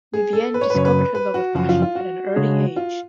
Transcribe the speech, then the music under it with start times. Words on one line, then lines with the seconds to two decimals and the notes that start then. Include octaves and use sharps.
Vivienne discovered her love of fashion at an early age.
0.14 G#4
0.33 A4
0.54 B4
0.61 C#5
0.70 B4
0.74 F#2 C#3 F#3 C#5
0.85 B4
1.15 B4
1.34 F#4
1.55 F#2 C#3 F3 F#4
1.69 F4
1.82 F4
1.95 F#4
2.36 C#3 G#3 D4 G#4 C#5
2.76 F4